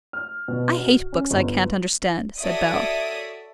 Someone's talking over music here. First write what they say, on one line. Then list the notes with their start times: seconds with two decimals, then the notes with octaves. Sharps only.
"I hate books I can't understand," said Bell.
0.13 F6
0.48 B2
0.77 F#4
1.13 C#4
1.31 G1
2.38 F#4 A4 C#5 D5 E5 D#6